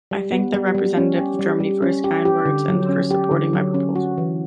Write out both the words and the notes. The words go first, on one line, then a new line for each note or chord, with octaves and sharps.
I thank the representative of Germany for his kind words and for supporting my proposal.
G3
B3
G3
G3
C#4
G4
G3
G3
C#4
G4
G4
D3
F#3
C#4
G4
D3
F#3
C#4
F#4
E3